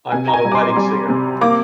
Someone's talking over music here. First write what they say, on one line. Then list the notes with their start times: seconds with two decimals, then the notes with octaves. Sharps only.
I'm not a wedding singer!
0.12 C3 G#5
0.28 A#5
0.34 G#5
0.45 G3
0.52 D6
0.55 C6
0.76 G3
1.09 C3
1.41 A#3 D6